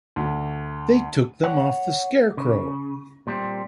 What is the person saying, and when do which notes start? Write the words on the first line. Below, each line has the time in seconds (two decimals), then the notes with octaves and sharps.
They took them off the scarecrow.
0.16 D2
1.43 C#5 F#5
2.37 C#3
3.27 A#2 G3 C4